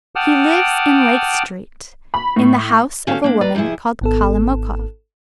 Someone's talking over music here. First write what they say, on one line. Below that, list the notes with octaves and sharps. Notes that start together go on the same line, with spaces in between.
He lives in Lake Street, in the house of a woman called Kalmikov....
F#5 G5 A5 D6 D#6 F6
B5
A2
D3 C#4 F#4 G4 F5 A5
A#3 D4
G#3 B4 D5 A#5
F2 C3 C#4 E4 G#4
G#1 B3 A4